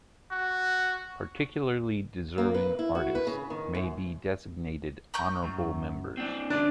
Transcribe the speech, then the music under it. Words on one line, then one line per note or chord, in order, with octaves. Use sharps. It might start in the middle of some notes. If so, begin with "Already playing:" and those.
Particularly deserving artists may be designated honorable members.
F#4
A#3
B4
E4
F#4
B4
C#3
D#3
F#2
A#5 C#6 G6
F#2
C4 D4
D2 D4 D5